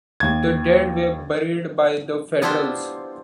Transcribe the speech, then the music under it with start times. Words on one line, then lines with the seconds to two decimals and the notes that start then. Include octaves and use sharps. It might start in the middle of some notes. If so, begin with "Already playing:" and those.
The dead were buried by the Federals.
0.20 D#2 G#6
2.42 B3 D4 E4 F4 G4 C5